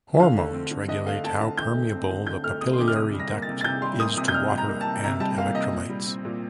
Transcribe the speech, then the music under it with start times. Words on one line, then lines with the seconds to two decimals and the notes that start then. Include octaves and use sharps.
Hormones regulate how permeable the papillary duct is to water and electrolytes.
0.20 D3 F5
0.37 A3
0.54 C4
0.71 D3
0.88 D3 D#5
1.05 A3 F5
1.23 C4 A5
1.40 D3 A5
1.57 D3 G6
1.75 A3
1.93 C4
2.10 D3
2.27 D3 G6
2.44 A3 F6
2.61 C4 D#6
2.73 C6
2.78 D3 D6
2.88 F6
2.96 C3 D#6
3.14 G3
3.19 A#6
3.30 A#3
3.42 A6
3.48 C3
3.61 A6
3.64 C3 G6
3.82 G3 C6
3.99 A#3 D#6
4.17 C3 D#6
4.28 G6
4.34 C3 F6
4.52 G3
4.58 A#5
4.69 A#3
4.81 A5
4.87 C3
5.03 C3 A#5
5.20 G3 A5
5.38 A#3 F5
5.54 C3 D#5
5.73 A#2
5.89 G3
6.06 C4
6.25 A#2